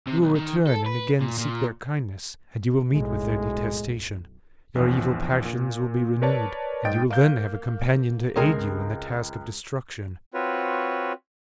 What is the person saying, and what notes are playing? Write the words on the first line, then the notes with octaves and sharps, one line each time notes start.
You will return and again seek their kindness, and you will meet with their detestation; your evil passions will be renewed, and you will then have a companion to aid you in the task of destruction.
C3
B1
D#3
A4
B4
A#2
A#2
B1 F#2 A2 G#3
A#1 E2
A#2
A#4 B4 C#5 D5 A5
G#2 D#5 G5 G6 A6 D7
A#3 F5 G6
C#2 C4 G#4 A#4 G5
C4 F4 F#4 B4 C#5